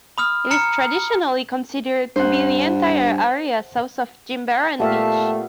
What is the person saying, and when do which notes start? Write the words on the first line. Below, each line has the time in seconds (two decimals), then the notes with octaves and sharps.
It is traditionally considered to be the entire area south of Jimbaran beach.
0.18 B5 D#6 F6
0.51 A#5 F6 C#7
2.16 G2 C5 F#5
4.80 A#2 A3 B3 G4 E5 F5 A5